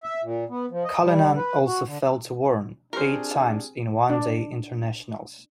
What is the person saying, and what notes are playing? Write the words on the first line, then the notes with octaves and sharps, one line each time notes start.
Cullinan also fell to Warne eight times in One-Day Internationals.
E5
A#2
B3
F3
D#5
G3
B4
F#4
D3
C4 D4 F4 G4 G#4 A#4 C5 F6
D4